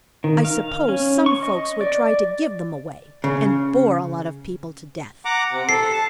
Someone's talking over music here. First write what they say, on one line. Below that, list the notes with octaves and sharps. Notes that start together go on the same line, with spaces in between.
I suppose some folks would try to give them away, and bore a lot of people to death.
D#3
F5
C#4
C#6
D#5
D5
C#3
F#5 A#5 D6
C3
A4 C7
A5